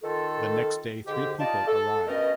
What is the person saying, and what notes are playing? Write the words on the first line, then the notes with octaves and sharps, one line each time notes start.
The next day three people arrive.
D#3 F4 A4
G#2 D3 G4
D#4 F4 D5 D#5 A5
A4
G2 B2 A3 C#4 A#4 D#5